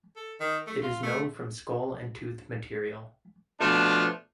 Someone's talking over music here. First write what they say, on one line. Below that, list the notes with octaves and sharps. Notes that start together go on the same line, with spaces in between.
It is known from skull and tooth material.
A4
D#3
A3
F4
A3
B2 F3 A3 D4 F4